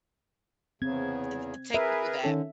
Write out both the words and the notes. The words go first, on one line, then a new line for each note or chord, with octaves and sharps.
Th th take me through that.
E2 C#3 C4 G#6
G#4 A#4 B4 E5
D3 D#3 C#4 A4